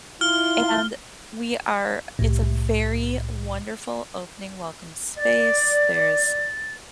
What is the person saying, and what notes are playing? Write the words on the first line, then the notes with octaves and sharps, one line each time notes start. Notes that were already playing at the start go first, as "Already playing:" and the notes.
and we are it's a very wonderful opening welcome space, there's,
E4 F4 F6 G7
C2 A2
D5 A6